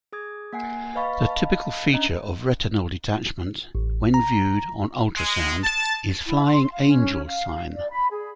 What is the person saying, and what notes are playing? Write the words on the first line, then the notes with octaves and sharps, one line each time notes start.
The typical feature of retinal detachment when viewed on ultrasound is "flying angel sign".
G#4 D#6 G#6
A#3 F#5 G#5 C7
B4 D#5 F5 B5 C#6 A6
D#5 F5 A5 B5
C#4 D4 D#5 A#5
A1
A#5
G#3
A5
E4
C6
F5
C#4
F5
D5
B5
G#4